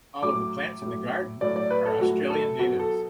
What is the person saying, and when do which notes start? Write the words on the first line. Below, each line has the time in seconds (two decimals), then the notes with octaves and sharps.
All of the plants in the Garden are Australian natives.
0.22 A2 F#3 D6
0.82 A2 F#3
1.41 A2 F#3 D5
1.56 D5
1.70 B4
1.86 A4
2.00 A2 F#3 F#4
2.30 A4
2.59 B2 F#3 F#4
2.79 A4